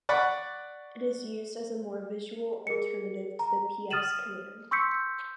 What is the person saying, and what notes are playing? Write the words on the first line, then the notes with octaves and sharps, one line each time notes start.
It is used as a more visual alternative to the ps command.
D5 F#5 B5 C#6
G#4 A#4 C#7
A#5
D#6 F6 A6 D#7 E7 F#7
C6 C#6 E6 G6 B6 C#7